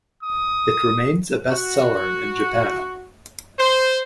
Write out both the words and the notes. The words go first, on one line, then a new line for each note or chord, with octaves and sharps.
It remains a bestseller in Japan.
D#6
F#4
C5